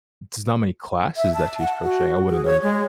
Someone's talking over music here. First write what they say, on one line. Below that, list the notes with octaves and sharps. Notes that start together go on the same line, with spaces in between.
there's not many classes that teach crochet I wouldn't
E5
A5
F#5
F#4
G#4
C#5
G#3